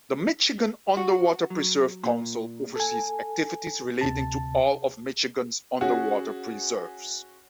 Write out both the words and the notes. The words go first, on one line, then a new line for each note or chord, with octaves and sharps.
The Michigan Underwater Preserve Council oversees activities relating to all of Michigan's Underwater Preserves.
F#4
F#3
A#2
A4 G#5
D2 C3 A5
C#4 F#4 G#4